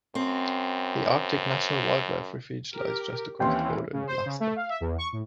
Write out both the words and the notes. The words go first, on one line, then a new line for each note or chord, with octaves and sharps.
The Arctic National Wildlife Refuge lies just across the border in Alaska.
F#2 C4
G4 A#4
D#2 E3 A#3 C4 C#4 G5 C6
C#3
C5
C#3
A3
F5
E5
E2
C#6
A2